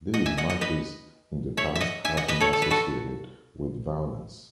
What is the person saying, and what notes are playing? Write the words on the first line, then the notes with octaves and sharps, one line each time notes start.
These matches in the past have been associated with violence.
D#5 F#5
E5 G#5
D#5 F#5
D#5 F#5
B4 D#5
C#5 E5
E5
D#5 F#5
E5 G#5
D#5 F#5
B4 D#5
A4 C#5
A4
B4
F#4 A4